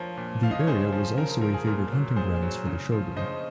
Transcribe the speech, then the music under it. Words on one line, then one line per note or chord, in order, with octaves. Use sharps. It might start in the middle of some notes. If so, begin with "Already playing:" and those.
The area was also a favored hunting grounds for the Shogun.
Already playing: F3 A#4 C#5
A#2
F3 F5
D#5
C#5
C#3 G#4 C5
F3
C#3 A#4
A#4
F3 A#4
G#4
A#2 A#4
F#3
A#2 G#4 C5
F#3
C#3
F3
C#3 C5 D#5